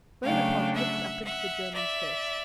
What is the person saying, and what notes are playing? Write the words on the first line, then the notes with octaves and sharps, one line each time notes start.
Bonaparte looked up into the German's face.
C#3 F#3 A3 D4 F5 G5
E5 F#5
E5 F#5
D5 E5